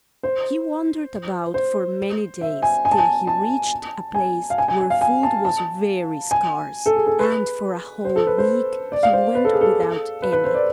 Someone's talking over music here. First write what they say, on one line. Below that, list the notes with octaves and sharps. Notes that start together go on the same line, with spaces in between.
He wandered about for many days, till he reached a place where food was very scarce, and for a whole week he went without any.
C5
C5
E5
G#5
G#5
A5
G#5
A5
G#5
F5
G#5
G#5
G#5
F5
G#5
A5
A5
G#5
A4
G#4
A4
B4
C5
A4
B4
C5
D5
F5
C5
B4
A4
G#4
A4
B4
B4
C5
D5